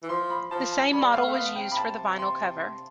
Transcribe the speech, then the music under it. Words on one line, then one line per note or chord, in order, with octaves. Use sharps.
The same model was used for the vinyl cover.
E3
F3 C6
B5
F3 A5
A5
G3 B5
A3 F5
A3
B3 F5
C3 G5
B5
A5
C6